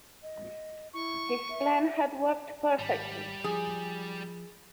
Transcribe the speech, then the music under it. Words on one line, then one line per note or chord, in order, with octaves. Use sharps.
His plan had worked perfectly.
D#5
E4 C#6
E5
G#1 G3
F3 G#4